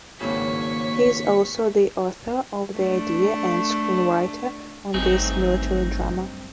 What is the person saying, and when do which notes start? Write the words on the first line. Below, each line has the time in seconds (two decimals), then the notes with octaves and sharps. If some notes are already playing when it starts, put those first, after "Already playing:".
He is also the author of the idea and screenwriter of this military drama.
0.21 G#1 G2 C#3 A#3 C#5 C#6 B6
2.75 A3 D4
4.94 G#1 G2 F#3 A3 C4 D#4 G#4